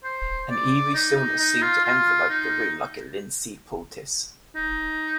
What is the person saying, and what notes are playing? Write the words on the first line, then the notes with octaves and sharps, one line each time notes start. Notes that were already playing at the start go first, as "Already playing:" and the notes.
An eerie stillness seemed to envelop the room like a linseed poultice.
C5
D5
D#4
D#4
D#4
F4
F4
D#4
D#4